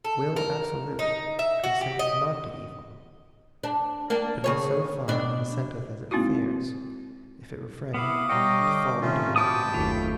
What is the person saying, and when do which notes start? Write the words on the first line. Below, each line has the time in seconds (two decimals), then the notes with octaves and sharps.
Will absolute consenteth not to evil; But in so far consenteth as it fears, If it refrain, to fall into more harm.
0.05 A4
0.36 A#4
0.99 D#4
1.39 E5
1.64 F#4
1.81 G4
1.99 D#5
3.64 D4
4.10 A#3 D4 A#4
4.44 C#3 G#4 C#5
5.08 B2 D4
6.11 G#3 A#3 C4 D#4 E4 F#4
7.94 B3 E4 F5 D6 D#6
8.29 B2 G3 C#5 D#5 F5 G5 A#5
8.59 D3
9.01 C3 D#3 A3 A#3 C#4 F4
9.36 F#4 B4 G5 A5 D6 D#6
9.74 F#1 D#2 A3 F4